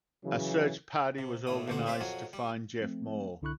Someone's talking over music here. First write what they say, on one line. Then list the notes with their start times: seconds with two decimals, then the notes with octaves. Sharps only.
A search party was organized to find Jeff Moore.
0.24 C#3 E3 F#3
1.18 C3
1.47 D#2 A2 A3 D#6
1.68 A1 D2 D3 F#4 C5
1.86 C4 G4 C5 E5 F5
2.01 F2 F#3 F#4 G#4
2.33 G3
2.81 F3 A3 C4
3.42 C2 D3 E4 B5 C#6 F#6